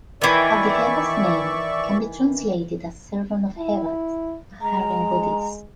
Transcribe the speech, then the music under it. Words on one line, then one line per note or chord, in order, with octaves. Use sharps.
Abdi-Heba's name can be translated as "servant of Hebat", a Hurrian goddess.
D#3 E3 D5 E5 C#6
E4
G#3 A#5